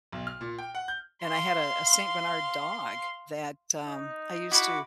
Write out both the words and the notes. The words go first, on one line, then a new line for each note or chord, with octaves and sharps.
and I had a a Saint Bernard dog that, um, I used to
B1
F6
A#2
G5
F#5
G6
F5 C6
D#4
E4 F#4 F#5 B5 D6